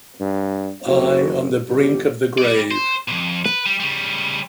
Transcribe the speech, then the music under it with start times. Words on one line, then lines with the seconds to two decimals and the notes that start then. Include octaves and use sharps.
I on the brink of the grave!
0.20 G2
0.86 F#1 F#4
1.68 G1 G4
2.38 G3 D5
2.71 C5
3.08 B1 F2
3.45 B4
3.66 G3
3.80 C#3 G3